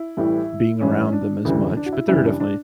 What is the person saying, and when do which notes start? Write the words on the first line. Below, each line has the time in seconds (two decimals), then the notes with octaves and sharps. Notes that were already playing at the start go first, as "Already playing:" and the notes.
being around them as much, but there are definitely
Already playing: E4
0.17 A1 A2 E3 G3
0.81 A1 G2 E3 C#4
1.13 D4
1.45 E1 D2 C#3 E3 G3
1.77 D4
1.86 F#4
1.93 E4
2.08 F#1 F#2 E3 G3 E4
2.25 D4
2.40 D4